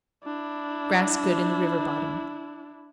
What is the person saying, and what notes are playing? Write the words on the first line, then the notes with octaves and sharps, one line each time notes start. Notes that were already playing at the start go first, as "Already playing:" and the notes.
Grass good in the river bottom.
D4 E4